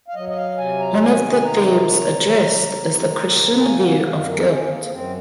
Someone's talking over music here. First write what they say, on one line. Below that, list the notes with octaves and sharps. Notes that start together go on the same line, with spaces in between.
One of the themes addressed is the Christian view of guilt.
F5
F#3 D#5
D#5
F5
C3 G#5
A#5
D#3 G#5
G#5
C3 A#5
F#3
C3
D#3
C3
A#3 G#5
F#5
G#5
F#5
F#2 F5
A#4
F3 G#4
A#3
A#3
F#2 C4